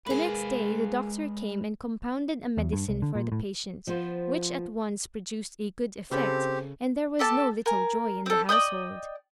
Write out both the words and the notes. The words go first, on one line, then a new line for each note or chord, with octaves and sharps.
The next day the doctor came and compounded a medicine for the patient, which at once produced a good effect, and there was no little joy in the household.
G#3 A#3 G#4 B4
E2
G2
C2
D3
A#2
A2
F3 B3 F4 C5
C#3 C4 G4 A4 B5
G4 A4 A5
A#4 G#5
C4 A4
D5 D#5 G5 D#6